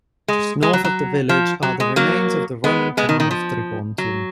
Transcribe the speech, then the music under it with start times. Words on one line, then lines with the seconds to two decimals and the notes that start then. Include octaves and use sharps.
Just north of the village are the remains of the Roman town of Tripontium.
0.28 G#3
0.63 G#3
0.73 F#3
0.84 F#3
1.29 F3
1.63 F#3
1.80 G#3
1.96 F#3 A#3
2.64 G#3 B3
2.97 G#3 B3
3.09 D#3
3.20 D#3
3.31 F3
3.98 F#3